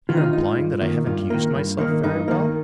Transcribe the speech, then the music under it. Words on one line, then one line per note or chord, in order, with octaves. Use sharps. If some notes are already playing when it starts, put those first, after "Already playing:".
"You're implying that I haven't used myself very well?"
D#3 F4
D#4
F4
G#3 D#4
G2
D#3 A#3
G2 F4
D#3 A#3
G2
D#3 A#3
G2 D#4
D#3 A#3